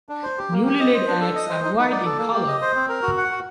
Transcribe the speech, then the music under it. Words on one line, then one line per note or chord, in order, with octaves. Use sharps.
Newly laid eggs are white in color.
D4
C5
G4
A#3
G4
D#5
C5
D4
A4
D#5
C5
D#4
D#4
D5
A4
A#3
G4
D#5
C5
C4
A#4
F#4
F#5
F#4